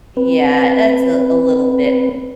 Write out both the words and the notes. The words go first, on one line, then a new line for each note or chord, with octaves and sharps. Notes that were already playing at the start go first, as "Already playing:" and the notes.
Yeah, that's a a little bit,
C4 B4